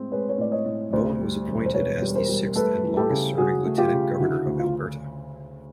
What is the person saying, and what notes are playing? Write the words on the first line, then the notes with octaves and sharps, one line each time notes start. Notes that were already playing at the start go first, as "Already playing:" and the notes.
Bowen was appointed as the sixth and longest-serving Lieutenant Governor of Alberta.
Already playing: A2 G#3 C4
G#3 B4 C#5
C#5
A2 D5
C#5 D#5
A2
D2 C5 D5
G3
E1
C5
E1 B4 C#5
G3
A#4 C5
G3
A3 A4 B4
E3
G4 A4
C#3
C#3 F#4 G#4
A3
F4 G4
C#3
D3 E4 F#4
D2
F4